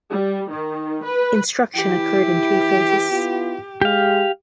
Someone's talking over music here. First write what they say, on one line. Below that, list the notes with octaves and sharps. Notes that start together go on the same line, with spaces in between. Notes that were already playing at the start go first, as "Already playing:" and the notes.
Instruction occurred in two phases.
G3
D#3
B4
E3 E4 G4
B3 E4 F4
G#3 G4 F5